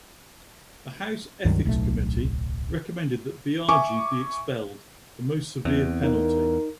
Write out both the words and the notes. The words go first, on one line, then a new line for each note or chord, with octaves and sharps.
The House Ethics Committee recommended that Biaggi be expelled - the most severe penalty.
C#2 G2 D#3 F#3
D1 B1 A3
E5 G#5 C#6 D6
E2 C4
D#4 A#4